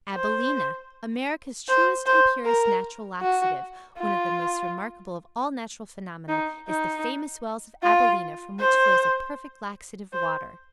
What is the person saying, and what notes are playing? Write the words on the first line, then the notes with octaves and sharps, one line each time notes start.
ABILENA America's Truest and Purest Natural Laxative. One of the most remarkable of all natural phenomena is the FAMOUS WELLS OF ABILENA from which flows a perfect laxative water.
C5
C5
C5
A#4
F#4
F4
D#4
D#4
F4
C5
C5